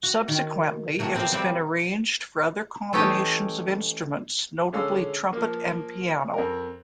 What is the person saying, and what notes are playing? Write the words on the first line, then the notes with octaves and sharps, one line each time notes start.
Subsequently it has been arranged for other combinations of instruments, notably trumpet and piano.
F#4
D#3
C3 F#3 A3
B3 C4 G4 A#4 C5
G3 C4 F#4 C5 D5 E5
E3 A3 C#4 D#4 G4
D3 G#3 C#4 F5 E6
F3 A#3
F2 A#4